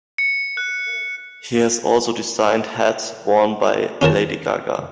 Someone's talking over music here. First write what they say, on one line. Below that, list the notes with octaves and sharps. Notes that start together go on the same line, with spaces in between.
He has also designed hats worn by Lady Gaga.
C#7
F#6
C#4 F4 A#4 A5